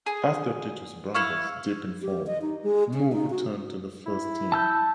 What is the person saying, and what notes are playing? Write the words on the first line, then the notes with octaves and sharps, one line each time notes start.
After Titus Bramble's dip in form, Moore returned to the first team.
G#4
E4 F5 C#6
G4
D#5
D#4
G#3
C#4
D#4
F#4
E4
A5 E6 G6